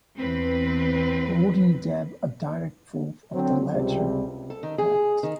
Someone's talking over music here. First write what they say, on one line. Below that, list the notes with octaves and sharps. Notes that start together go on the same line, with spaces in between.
Rudin gave a direct proof of the latter fact.
E2 C4 B4
D3 F#3 C4
C#2 C3 G3 C4
A4
D#3
G#4
D#3